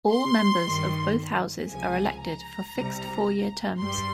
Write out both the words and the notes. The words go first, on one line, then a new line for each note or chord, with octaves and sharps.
All members of both houses are elected for fixed four year terms.
C6
G2 D#3 G3
C#2 C3 F3 G#3 G#5
A#5
C2 C3 G3
G2 G3 C6